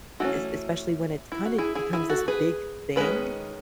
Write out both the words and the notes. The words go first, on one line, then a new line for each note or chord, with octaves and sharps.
es especially when it's kinda becomes this big thing;
E3 A3 C#4 D#4 F#4
E4
F#4
E4 G#4
E4 G#4
E4 G#4
F#4 A4
G#4 B4
D#3 G#3 C#4 G#4 B4